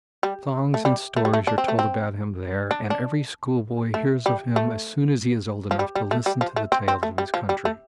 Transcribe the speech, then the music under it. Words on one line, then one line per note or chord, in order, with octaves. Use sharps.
Songs and stories are told about him there and every school boy hears of him as soon as he is old enough to listen to the tales of his country.
G3
A3
G3
A3
G3
A3
D4
C4
A3
C4
D4
D4
A3
G3
A3
F3
G3
G3
A3
G3
F3
A3
C4
C4
A3
G3
F3
G3
A3